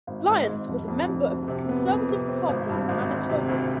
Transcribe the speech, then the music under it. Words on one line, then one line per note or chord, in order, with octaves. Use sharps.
Lyons was a member of the Conservative Party of Manitoba.
G#1
G#2
G#1
F1
F2
F1
D2
C3
B3
F2
C3
C4
G#1
G2
G#1
D2
C3
D2